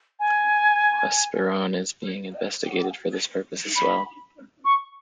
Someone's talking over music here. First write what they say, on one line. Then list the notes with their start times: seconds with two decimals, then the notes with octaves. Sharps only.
Buspirone is being investigated for this purpose as well.
0.20 G#5
3.76 B5
4.65 C#6